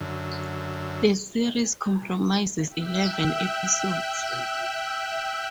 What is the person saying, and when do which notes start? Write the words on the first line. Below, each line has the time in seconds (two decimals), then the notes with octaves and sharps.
The series comprises eleven episodes.
0.01 F#2 D3
2.68 E5 G5 E6 F#6